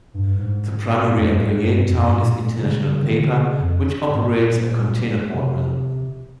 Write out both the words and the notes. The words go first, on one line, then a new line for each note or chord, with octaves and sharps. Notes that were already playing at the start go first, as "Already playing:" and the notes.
The primary employer in town is International Paper, which operates a containerboard mill.
G2
G#2
F2
G2
G#2
G2
F2
G2
A#2
A#2
C#3
C#3
D#3
C#3
C#3
F2
G#2
A#2
C3